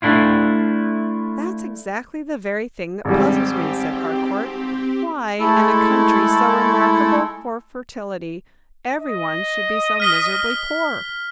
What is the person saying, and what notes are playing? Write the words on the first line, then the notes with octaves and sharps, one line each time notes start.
"That's exactly the very thing that puzzles me," said Harcourt, "why, in a country so remarkable for fertility, every one should be so miserably poor!"
A3 D4 E4 F4
G#1 G3 C4 G4
G#3 A3 E4 A4
D#5
F6 B6 G7